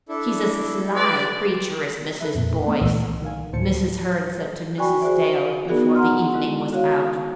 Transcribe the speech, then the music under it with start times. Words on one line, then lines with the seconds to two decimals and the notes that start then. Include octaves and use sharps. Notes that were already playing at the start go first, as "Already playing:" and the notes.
"She's a sly creature, is Mrs. Boyce," Mrs. Hearn said to Mrs. Dale, before the evening was out.
0.09 D4 E4 A4
0.96 G4 B4 D5
2.21 A4 B4 E5
2.35 F2 A#2
2.63 A3 B3 D4 D5
2.81 C2 A#2 E3 E6
3.22 D#3 F5 G#5
3.53 D2 A2 C5 A5 C#7
4.78 F#4 D5 G5 G#5 B5 C#6
5.01 F#4 G#4 C5 D5 E5
5.67 B3 D#4 F#4 G#4 A#4 D5
5.95 F#5 A#5 C6 F6
6.33 D#3 G#3 E4
6.73 F#4 C#5 F5